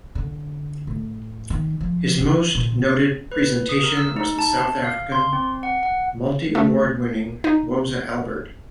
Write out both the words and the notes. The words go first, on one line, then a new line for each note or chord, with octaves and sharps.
His most noted presentation was the South African, multi-award-winning Woza Albert!
D3
A2
D#3
F3
E3
A#2
B4
D#6
A#4
E6
D#4
A5
F5
C6
C4
F#5
F#5
A3
D#4